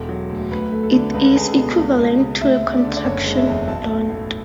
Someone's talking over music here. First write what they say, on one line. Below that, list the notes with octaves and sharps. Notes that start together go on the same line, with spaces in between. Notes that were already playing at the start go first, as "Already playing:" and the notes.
It is the equivalent to the contraction "don't".
Already playing: E1 A4
F#3
D2
D2 B4
A3
A4
D3
C#2 B4
A4
C#2 G#4
A4
B2
C#2
C#2
C#3
D2 E5
D2
D5
D3
D5
F#1 C#5
G#3
E5
E2
B1 A5
A3
A2